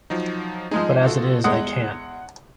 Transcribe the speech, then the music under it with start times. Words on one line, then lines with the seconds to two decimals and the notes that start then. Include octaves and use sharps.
But as it is I can’t.
0.10 F3 F#3 D#4
0.71 F3 G#3 D#4 G#4
1.03 F4 F#4 A4
1.44 E2 G#3 F#5 D#6